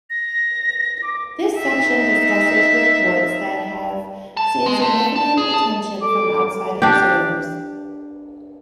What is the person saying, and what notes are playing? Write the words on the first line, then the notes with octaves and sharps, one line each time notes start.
This section discusses reports that have seen significant attention from outside observers.
A#6
D6
D#4 E5
A5
G#3
A3
A5
G#4
A5
A4 D6
D4 G4